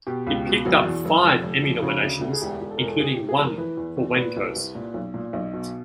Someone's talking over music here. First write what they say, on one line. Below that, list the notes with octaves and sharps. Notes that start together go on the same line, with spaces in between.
It picked up five Emmy nominations, including one for Wendkos.
B2 G4
C#2
B2
F#1 F#4
E2
F#1
F1
F1
F1
C#3 F#4
D2
D2
G#4
E1 G4
E1
A4
E1 A#4
A4
C3 G#4
C3 G4
G#4
F1 A#4
E3 B4
E2
E2
A#2 B4
C2
C2
A#2
B1
A#2
B1 D#5
B2